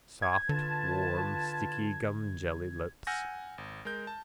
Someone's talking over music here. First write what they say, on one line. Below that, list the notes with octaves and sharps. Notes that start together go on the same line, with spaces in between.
Soft warm sticky gumjelly lips.
G#6
D3 F4 B4 A5
F#5 G#5 E6 F6 G6 A#6
G#1
G#3 A#4 G6
A5